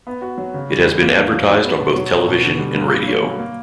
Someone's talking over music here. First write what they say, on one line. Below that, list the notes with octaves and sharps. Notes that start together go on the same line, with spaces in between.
It has been advertised on both television and radio.
B3
F#4
F#3
C#3
G3
E2
A#3
D4
F#3
F#3
B3
B2
F#3
C#4
B2
D3
G3
G2
A#3
C#4
F#3
A#3